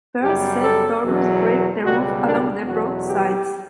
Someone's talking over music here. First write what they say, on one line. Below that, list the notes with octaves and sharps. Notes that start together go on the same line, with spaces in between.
Paired shed dormers break the roof along the broad sides.
F#2 C#3 G3 G4
A4
E2 B2 F#3
C#2 B2 G3 F#4
D4
E2 B2 F#3 F#4
G4